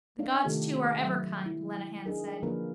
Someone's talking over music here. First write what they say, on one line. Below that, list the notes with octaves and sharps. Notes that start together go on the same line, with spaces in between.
The gods too are ever kind, Lenehan said.
D4 D#4 C#5 F5
C3 D#3 A3 F4 G4 A4
F#3 E5
E4
D4 D#4 G#4 A#4
D3 F3 A#3 D4 A#4 B4